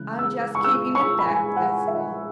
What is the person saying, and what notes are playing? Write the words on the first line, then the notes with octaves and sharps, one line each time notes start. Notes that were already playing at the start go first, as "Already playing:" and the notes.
"I'm just keeping it back, that's all."
Already playing: C#3 E3 G#3 E4 F#6
E6
C#6
E6
C#6
B5
G#5
F#5
E5